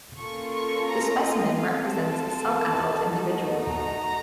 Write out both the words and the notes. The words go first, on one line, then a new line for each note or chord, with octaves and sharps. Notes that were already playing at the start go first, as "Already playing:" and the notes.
The specimen represents a subadult individual.
A#3 C#4 F4 A4 C#6
C#6
A#5
D#5
C4 F4 A4 F5
A5
A3 D#4 F#4 A4
A#5